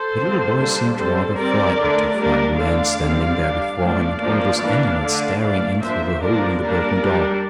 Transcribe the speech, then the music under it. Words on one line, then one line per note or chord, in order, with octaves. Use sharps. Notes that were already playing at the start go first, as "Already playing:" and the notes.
The little boy seemed rather frightened to find a man standing there before him and all those animals staring in through the hole in the broken door.
Already playing: A4 C5
F3 A3 C4
D3 G3 A#3 D4
G3 C4 A4 C5
G3 C4 A#4 D5
D3 A3 D4
G3 A#3 D4 A#4 D5
D3 A3 D4 D5 F5
D3 G3 C4
G3 D4
F3 A3 D4 D5 F5
F3 A#3 D4
E3 A#3 D4
D3 A3 D4
E3 A3 D4 D5 F5
F3 A#3 D4 C5 E5
D3 F3 A#3 D4 A#4 D5
G3 A#3 D4 A#4 D5
G3 D4